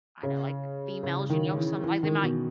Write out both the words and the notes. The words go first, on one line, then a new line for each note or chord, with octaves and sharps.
I know, like, females, you know, some like, they might
C#3
C#3
D#3
E3
E3
D#3
B2